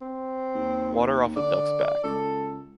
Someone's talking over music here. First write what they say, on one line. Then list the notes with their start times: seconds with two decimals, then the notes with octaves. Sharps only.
Water off a duck’s back.
0.02 C4
0.55 D#2
1.36 D3 D5
2.04 C#2 A4